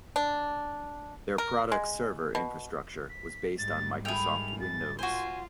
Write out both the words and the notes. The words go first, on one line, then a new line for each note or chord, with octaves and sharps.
Their product's server infrastructure was based on Microsoft Windows.
D4
A#4
G#3
B2
B6
G#2 G3 A6
D#3 A3 E4 G#4 G5 F7
A6
F4 F#4 C5 G#5